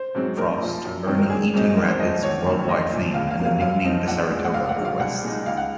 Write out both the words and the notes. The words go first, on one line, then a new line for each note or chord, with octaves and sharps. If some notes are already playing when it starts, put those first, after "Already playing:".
Frost, earning Eaton Rapids worldwide fame and the nickname The Saratoga of the West.
Already playing: C5
G#2 F#3 C4
A#1 A#4
A#2 F3
F#2
D#3 F#3 C4
A#4
A#1 G#4
G#2 F#3 C4 D#4
G#1 A#4
C5
G#2 F3 D#5
G#1 C#5
F#2 D#3 A#3
A#1 D#5
A#2 F3
C#2 F5
F5
C3 F#3 A#3
F5
F#2 F5
F3 C4 D#4
A#1 F#5
A#2 G#3
F#5
A#1 F5
F#5
G#2 F#3
F5
C2 F#5
A#2 G#3 D#4
C#2 F5
F#5